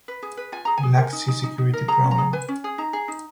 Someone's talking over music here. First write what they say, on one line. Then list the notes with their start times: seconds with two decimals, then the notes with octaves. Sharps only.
Black Sea Security Program.
0.08 B4
0.23 G#4
0.37 B4
0.52 F4 G#5
0.65 G#4 A#5
0.78 G#5
0.83 G#4
0.98 A#4
1.13 D#4
1.28 D#4
1.43 D#4
1.58 D#4
1.73 A#4
1.88 G#4 A#5
2.04 C#4
2.11 A#5
2.18 G#4
2.33 B4 G#5
2.48 C#4
2.64 G#4
2.78 D#4 A#5
2.93 G#4
3.08 D#4